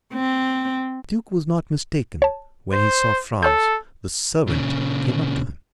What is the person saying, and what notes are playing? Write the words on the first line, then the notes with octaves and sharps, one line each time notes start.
The duke was not mistaken; when he saw Franz, the servant came up to him.
C4
C#5 A5
C5
A4 C#5 F6 G6
A#2 C#3